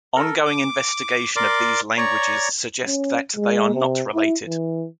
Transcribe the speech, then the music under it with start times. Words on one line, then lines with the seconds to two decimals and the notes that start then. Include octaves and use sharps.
Ongoing investigation of these languages suggest that they are not related.
0.16 A4 A#4
0.45 D6
1.36 A#4 D5 C6 D6
1.98 C#5 D5 A#5 C#6
2.86 C#4
3.36 G#3
3.75 C3
4.14 E4
4.46 E3